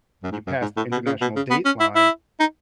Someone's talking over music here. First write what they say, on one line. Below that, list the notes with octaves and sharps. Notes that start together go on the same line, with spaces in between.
you passed the international dateline,
F#2
G#2
F#2
G#2
A2
B2
C#3
B2
C#3
B3
C#4
E4
E4
D#4